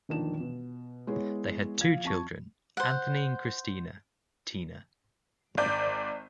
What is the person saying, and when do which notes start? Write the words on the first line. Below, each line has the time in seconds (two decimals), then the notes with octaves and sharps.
They had two children, Anthony and Christina "Tina".
0.09 E1 A#1 D#3 D4 E7
0.40 B2
1.07 G#3 B3 E4 G#4 C#5
1.79 A#1 F5 G#6
2.04 F2 A5 C#6
2.77 C5 F#5
5.57 G#1 D5 G6